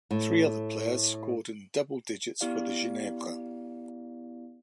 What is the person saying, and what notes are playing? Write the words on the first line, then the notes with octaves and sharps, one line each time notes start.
Three other players scored in double digits for Ginebra.
A2
B3 E4 G4 D5 F5